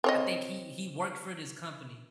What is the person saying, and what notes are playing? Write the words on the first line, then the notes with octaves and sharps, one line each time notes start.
I think he he worked for this company,
C4 C#5 D#5